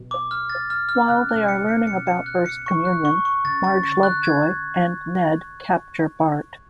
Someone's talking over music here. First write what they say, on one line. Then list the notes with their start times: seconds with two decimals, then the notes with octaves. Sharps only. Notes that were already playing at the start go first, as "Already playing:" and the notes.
While they are learning about First Communion, Marge, Lovejoy, and Ned capture Bart.
Already playing: B2
0.11 D6
0.31 F6
0.50 A6
0.70 F6
0.89 F6
1.09 C#3 F#6
1.29 F#6
1.35 B2
1.48 C#7
1.61 C#3
1.68 C#7
1.87 B2 C#7
2.07 C#7
2.26 F#6
2.46 C#7
2.66 C#6
2.85 F#6
3.05 C#6
3.25 C#6
3.45 C#3 A6
3.64 A6
3.83 D3 C#6
4.03 F#6
4.23 G#6